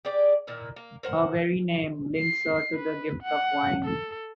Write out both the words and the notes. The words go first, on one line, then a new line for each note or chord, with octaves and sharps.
Her very name links her to the gift of wine.
G4 G#4 D5
A#2 D#3 E4
A#3
A#4 C5 F#5
C7
B4
F#5
A4